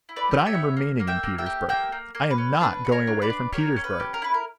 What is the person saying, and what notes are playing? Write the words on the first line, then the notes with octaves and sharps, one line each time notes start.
But I am remaining in Petersburg; I am not going away from Petersburg!
E4
B4 D5
G4
C#5 E5
B3
A#3
A#3
E5 G5
A#3
E5 G5
G4
A#3 E5 G5
A#3
A#3
B4
C#4
D4 B4
F#4
A#4 C#5
D4
B4 D5
D4
G4 A#4 C#5
C#4
B4
G4
A#4
E4 B4
A#4